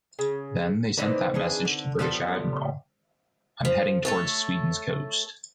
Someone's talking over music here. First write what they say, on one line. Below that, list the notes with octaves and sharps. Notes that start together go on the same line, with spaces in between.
Then, they sent that message to British admiral: “I’m heading towards Sweden’s coast”.
C#3
D3 E3 C4 D#4 B4 D5
E3 D4 G#4
D3
F3 G3 B3 F4 A4
F3
A3 A4 C#5